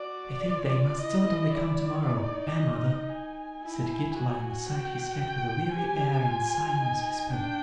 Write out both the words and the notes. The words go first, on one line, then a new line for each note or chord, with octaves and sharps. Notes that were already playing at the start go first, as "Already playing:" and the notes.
'I think they must certainly come to-morrow, eh mother?' said Kit, laying aside his hat with a weary air and sighing as he spoke.
Already playing: F#4 D5
F4
E4 D#5
D5
D#4
D#5
G#5
E4
F#4
G5
G5
G4 G#5
F4
D#4
D4 G5